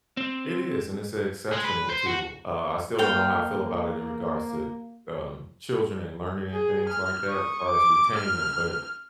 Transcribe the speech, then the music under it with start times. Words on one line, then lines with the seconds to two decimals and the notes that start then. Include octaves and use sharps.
It is, and it's a exceptional tool. Uh, I still don't know how I feel about it in regards to, um, children and learning and things like that as far as retainment, but
0.17 C4
1.53 G#3
1.65 B4
1.90 C5
2.06 F#4
2.99 A#3 F5 G5
6.53 G#4
6.89 F6
7.29 C#6 D#6
7.67 D6
8.16 F6